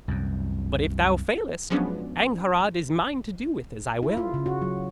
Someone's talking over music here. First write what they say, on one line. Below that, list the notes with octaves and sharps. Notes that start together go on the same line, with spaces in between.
But if thou failest, Angharad is mine to do with as I will.'
C2 F#2
F3 F#3 G#3 B3 C#4 D4
E4
F4
C#3
F#4
F#3